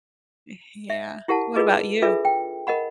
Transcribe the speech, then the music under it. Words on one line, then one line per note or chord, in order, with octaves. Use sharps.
y-yeah, what about you?
E5
E4 G4 A#4 F#5 A5
F4 G#4 B4 D#5 D6
D4 F4 G#4 A4 B4 E5
G5
A#4 D#5 F#5 B5